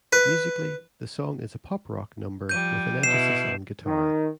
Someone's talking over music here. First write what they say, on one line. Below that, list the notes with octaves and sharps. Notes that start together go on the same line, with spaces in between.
Musically, the song is a pop-rock number with an emphasis on guitar.
B4
F3 G3 G6 D#7
B2 E4 C7 E7
D#3